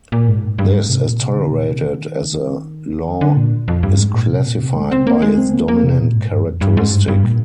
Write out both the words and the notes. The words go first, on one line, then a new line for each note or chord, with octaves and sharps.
This is tolerated, as a law is classified by its dominant characteristic.
A#2
G#2
G2
G#2
C3
A#2
C3
D3
A#2
C3
D#3
D3
A#2
F2
G2
G#2
A#2
C3
A#2
C3
G#3
C4
A#3
G#3
C4
A#3
A#3
C3
A#2
G#2
G2
F2
G2
G#2
G2
G2
A#2